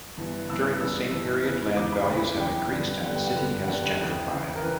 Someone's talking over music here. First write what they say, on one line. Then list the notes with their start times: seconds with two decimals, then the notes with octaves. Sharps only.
During the same period, land values have increased and the city has gentrified.
0.18 G2 E3 B3
0.49 G2 E3 B3 E6
0.81 G2 E3 B3 E6
1.13 G2 E3 B3
1.45 E2 C#3 E3 B3
1.77 E2 C#3 E3 B3 D6
1.92 B5
2.08 E2 C#3 E3 B3 B5
2.40 E2 C#3 E3 B3 G5
2.71 G2 D3 G3 B3
3.03 G2 D3 G3 B3 F#5
3.15 G5
3.27 F#5
3.35 G2 D3 G3 B3
3.67 G2 D3 G3 B3 F#5
3.99 E2 C#3 E3 G5
4.31 E2 C#3 E3
4.55 A#4
4.63 C#3 E3 B4